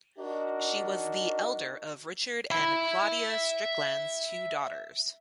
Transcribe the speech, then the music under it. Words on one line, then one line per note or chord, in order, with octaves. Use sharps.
She was the elder of Richard and Claudia Strickland's two daughters.
D4 D#4 F#4 A#4 D#5
E5 B5